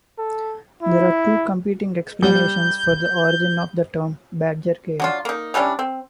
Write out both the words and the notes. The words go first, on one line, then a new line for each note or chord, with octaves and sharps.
There are two competing explanations for the origin of the term "badger game".
A4
E4
G3 G6
F#3 D4 F4
A#3 D#4
E3 G3 C#4 D4
C4